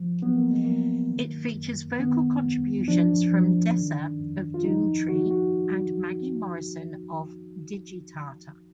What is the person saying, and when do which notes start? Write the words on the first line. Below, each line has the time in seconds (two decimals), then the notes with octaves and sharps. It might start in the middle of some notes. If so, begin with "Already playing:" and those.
It features vocal contributions from Dessa of Doomtree and Maggie Morrison of Digitata.
Already playing: F3
0.22 F#3 B3
0.36 A#3
0.51 G#3
0.64 F#3 A#3
1.11 D#3
1.55 F#2
1.99 D#3 B3
2.44 F2
2.88 F3 D4
3.31 F3
3.76 D#3
4.20 F2
4.54 F4
4.64 F3 D#4
5.09 F3 F#4
5.31 F#4